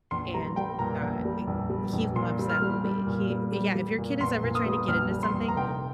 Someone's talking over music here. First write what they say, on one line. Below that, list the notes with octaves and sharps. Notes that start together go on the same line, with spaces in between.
and, uh, it he loves that movie, he yeah, if your kid is ever trying to get into something,
A#1 C6
G3 A#5
G3 G5
A#2 A#5
A#1
G3
A#1
G3
A#1
A#2 C6
G3
F6
G3
G3
A#2
G3
G3
G3
A#2
A#1 C6
A#2
D#6
G3
A#1 F6
G3
C6
A#1
A#5
F1 G5